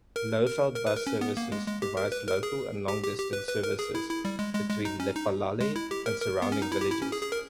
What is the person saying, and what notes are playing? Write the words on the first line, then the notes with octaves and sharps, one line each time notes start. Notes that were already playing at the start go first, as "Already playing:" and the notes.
Lowveld Bus Services provides local and long distance services between Lephalale and surrounding villages.
A#4
A#4
A#4
B4
A#4
C#4
B3
A#3
G#3
G#3
G4
A#4
B4
A#4
G#4
G4
G4
G4
B4
B4
A#4
G#4
E4
E4
G3
G#3
G#3
G#3
D#4
C#4
D#4
G#3
E4
G4
A#4
A#4
B3
C#4
D#4
E4
G4
E4
C#4
G#4
G#4
A#4